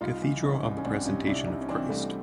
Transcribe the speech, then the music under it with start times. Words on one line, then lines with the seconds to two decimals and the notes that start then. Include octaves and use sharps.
Cathedral of the presentation of Christ.
0.01 C2 D#4 F4
0.22 E3
0.43 C2 C#4 D#4
0.63 C2
0.77 C#4
0.84 C2 C4 D4
1.05 C3 C#4 D#4
1.26 C2 D4 E4
1.47 C3 C#4 D#4
1.61 C#4
1.69 E3 C4 D4
1.89 C2 G3 A3